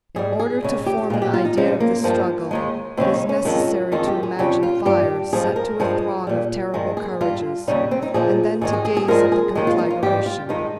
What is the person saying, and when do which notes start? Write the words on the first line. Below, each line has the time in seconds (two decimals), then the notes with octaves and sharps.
In order to form an idea of this struggle, it is necessary to imagine fire set to a throng of terrible courages, and then to gaze at the conflagration.
0.16 G#2 G3 G#4
0.40 G#4
0.63 D#2 C#3 G#3
0.86 G4
1.10 A#2 F4
1.13 G#3
1.22 G4
1.33 F4
1.45 D#4
1.57 F2 C3 F3 G#3 C#4
1.80 A#3
2.04 G2 F3 G#3 A#3
2.51 D#2 D#3 G#3
2.97 D#2 C#3 G#3 C4
3.14 D#4
3.29 C#4
3.45 F2 D#3 G#3
3.92 F2 D#3 G#3 F4
4.07 G4
4.23 G#4
4.39 F2 C#3 G3 G4
4.63 F4
4.85 G2 G3 G4
5.33 G2 F3 G#3 G#4
5.56 A#4
5.80 G2 F3 G#3 G#4
6.27 A#2 G3
6.74 G2 D#3 G#3
6.97 G#4
7.21 G2 G3 F4
7.68 D#2 C#3 G3 D#4
7.91 C4
8.03 D#4
8.14 A#2 F3 G#3 G#4
8.61 G#2 D#3 G#3 G#4
8.73 G#4
8.85 G#4
8.97 G#4
9.08 G2 F3 G#3 A#4
9.32 G#4
9.55 D#2 D#3 G#3 G4
9.67 F4
9.78 D#4
9.90 F4
10.03 G#2 G3 G4
10.26 F4
10.49 G2 D#3 G#3 D#4